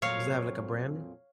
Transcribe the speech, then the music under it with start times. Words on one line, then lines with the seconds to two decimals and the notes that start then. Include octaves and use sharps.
is that, like, a brand?
0.02 F2 A#2 F#3 C#5 F5